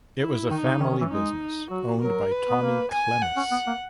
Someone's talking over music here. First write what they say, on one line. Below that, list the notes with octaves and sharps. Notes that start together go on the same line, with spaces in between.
It was a family business owned by Tommy Klemis.
E4
D#3 D#4
C#3
D#3 C#4
D#3
E3
G#3 D#4
F#3 F#4
F#3 A#4
B4
B3
A#3
G#5
F#5
C#4
B3
A#3